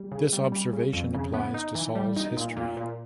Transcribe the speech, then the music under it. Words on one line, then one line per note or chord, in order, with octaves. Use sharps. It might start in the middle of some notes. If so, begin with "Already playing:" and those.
This observation applies to Saul's history.
Already playing: G3
C#3
G3
G3
C#3
F2
C#3
B3
D#4
E3
G3
D#4
A#2
A#2
A#2